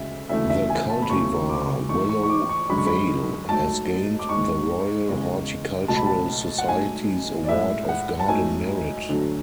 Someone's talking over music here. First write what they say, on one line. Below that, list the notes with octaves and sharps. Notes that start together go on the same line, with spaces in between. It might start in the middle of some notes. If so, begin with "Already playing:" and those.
The cultivar 'Willow Vale' has gained the Royal Horticultural Society's Award of Garden Merit.
Already playing: D2 C#3 G#3 E5
D2 C#3 E3 A3 E5
E5
G#5
A5
B5
E2 C#3 F#3 A3 C#6
D6
G#2 E3 A3 C#6
C#6
C#6
D6
C#6
F#2 D3 G#3 B5
C#6
B5
G#2 F#3 A3 A5
D6
G#2 G#3 C#6
E2 C#3 G#3
C#2 B2 F#3 A3 A5
B5
A5
F#5
G#2 F#3 A3 G#5
D5
A2 G#3 E5
F#5
A5
G#2 F#3 A3 G#5
D2 D3 F#3 A3